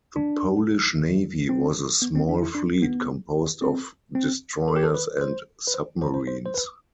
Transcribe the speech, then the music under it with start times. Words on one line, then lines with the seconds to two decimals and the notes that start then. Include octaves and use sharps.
The Polish Navy was a small fleet composed of destroyers and submarines.
0.16 D4
1.49 C4
2.02 B3
2.15 C4
2.29 D4
2.42 E4
2.55 D4
2.82 B3
3.62 C4
4.15 C4
4.68 A4
4.76 G4
4.83 A4
4.94 B4
5.21 C5
5.67 B4
5.74 C5
6.01 C5
6.14 C5
6.27 C5
6.46 C5
6.54 B4